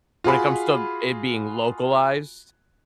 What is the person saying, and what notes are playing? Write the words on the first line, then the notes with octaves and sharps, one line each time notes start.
when it comes to it being localized,
F4 F#4 G#4 B5